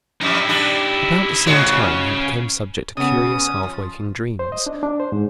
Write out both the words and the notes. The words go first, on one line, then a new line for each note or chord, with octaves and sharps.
About the same time he became subject to curious half-waking dreams.
F2 G3 D#4 E4
G3 D4 G4
G#2 C#3 C4 F#4 C#5
C#3
C#3 B3 C#4 D#6
F3
C5
D#5
D4
D4
C5
G#2